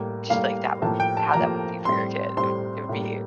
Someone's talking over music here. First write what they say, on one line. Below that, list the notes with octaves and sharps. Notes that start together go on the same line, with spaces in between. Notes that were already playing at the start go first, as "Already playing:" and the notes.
just, like, that would how that would be for your kid. It would it would be
Already playing: A2 G3 A#3
A2 G3 A#3 F5
A2 F3 A#3 A5
G5
A5
A2 F3 A#3 A#5
A2 G3 C4 C6
A2 G3 C4 C6
A2 G3 A#3